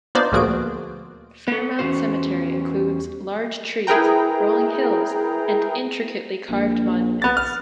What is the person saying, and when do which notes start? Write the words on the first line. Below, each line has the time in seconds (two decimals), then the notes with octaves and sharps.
Fairmount Cemetery includes large trees, rolling hills, and intricately carved monuments.
0.15 B3 D4 D#4 F4 C5 D5
0.32 D2 A#2 F3 F#4 G#4 D7
1.48 B3 A4
1.79 E2 D3 C#4 F#4 C5
3.87 E4 G#4 A#4 B4 G5 A#5
6.50 A#1
7.22 B3 A6
7.37 F6